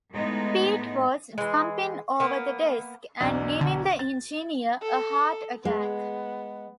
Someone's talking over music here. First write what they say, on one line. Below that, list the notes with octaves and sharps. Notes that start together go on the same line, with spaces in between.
Pete was jumping over the desk and giving the engineer a heart attack.
A2 G#3 B3 D#4
E3 G#3
A#3 B3
B1 E2 D4
D3
A6
A4
G#3 B3